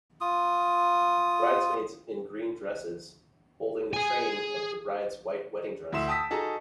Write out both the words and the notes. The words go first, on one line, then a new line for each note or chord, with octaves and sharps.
Bridesmaids in green dresses holding the train of the bride 's white wedding dress.
F4 D#6
G#4 G#5
D2 E4 E5 C6 E7
G5 A5 D#6 E6 B6
D#4 F#4 G#4 A4 A5 A#5